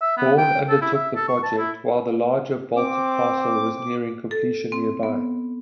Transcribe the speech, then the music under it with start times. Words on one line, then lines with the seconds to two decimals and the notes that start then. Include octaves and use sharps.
Bourne undertook the project while the larger Boldt Castle was nearing completion nearby.
0.02 E5
0.18 B3
0.38 G5
0.69 A4
0.81 E4
0.94 E5
1.16 A4
1.28 C#6
1.43 A5
1.58 E4
2.76 C4 D6
4.31 A4
4.72 C4
5.03 B3